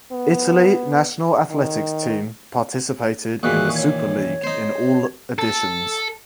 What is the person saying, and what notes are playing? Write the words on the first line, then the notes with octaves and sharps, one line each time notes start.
Italy national athletics team participated in the Super League in all editions.
B3
D#3
D#2 A#2 E3 F#4 G#4 F#6
C#5
D#4 C5
A4